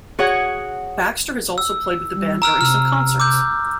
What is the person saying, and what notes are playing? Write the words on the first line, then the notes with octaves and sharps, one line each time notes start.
Baxter has also played with the band during some concerts.
F#4 G#4 C#5 F#5
E6
G3
A#5 E6 F6 D7
C3 E6 F6
D6 E6 G6